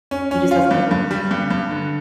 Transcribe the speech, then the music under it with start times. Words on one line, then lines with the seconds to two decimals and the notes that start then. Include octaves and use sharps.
he just has never respected my boundaries.
0.11 C#4
0.31 C#4
0.51 F4
0.71 G2
0.91 G2
1.11 G3
1.31 G2
1.50 G2
1.71 D3